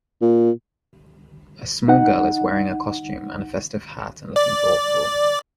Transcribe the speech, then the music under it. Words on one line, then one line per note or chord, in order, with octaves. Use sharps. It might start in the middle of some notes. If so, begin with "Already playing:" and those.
A small girl is wearing a costume and a festive hat and looking thoughtful.
A#2
D#4 F#5
D5